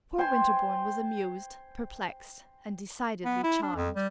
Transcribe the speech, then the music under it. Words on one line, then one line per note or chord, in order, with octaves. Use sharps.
Poor Winterbourne was amused, perplexed, and decidedly charmed.
C5 G5 G#5 C6
B3
E4
D4
F2
G3